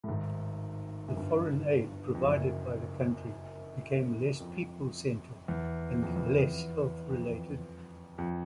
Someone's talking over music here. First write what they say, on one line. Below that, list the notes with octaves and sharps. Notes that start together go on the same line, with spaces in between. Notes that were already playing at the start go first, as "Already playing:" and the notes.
The foreign aid provided by the country became less "people-centered" and less health-related.
A2
G#1 G#2
F#2
G1 G2
F2
F#1 F#2
F2
E2
F2
E2
E2
F2
F2